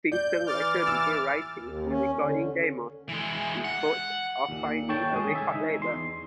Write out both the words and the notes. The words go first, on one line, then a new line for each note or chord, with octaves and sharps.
Simpson later began writing and recording demos, in hopes of finding a record label.
D5 G6
E3 D6 F6 A6
E6
D#2
C#4
D3
E3 G#3
F#5
D#2 A#2
A4 C#5 G5 A5
D#3 G#3 C4 D#4 G#4
C#2 E5 G#5
D#4
E2 C6